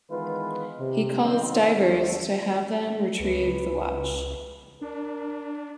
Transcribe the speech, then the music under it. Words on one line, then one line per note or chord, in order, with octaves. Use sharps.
He calls divers to have them retrieve the watch.
D#3 E3 G#3 B3 F4 B4
C3
D#3 F#3 B3 C4
D#2 D3 A3
C#2 B4
D4 A#4